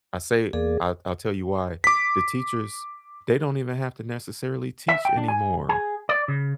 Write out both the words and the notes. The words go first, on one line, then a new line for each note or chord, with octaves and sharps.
I say I'll I'll tell you why. The teachers, they don't even have to necessarily teach anymore.
E2 A#3 G#4 D5
D6 B6
E5
G5
D4
G#5
G#4
D5
C#3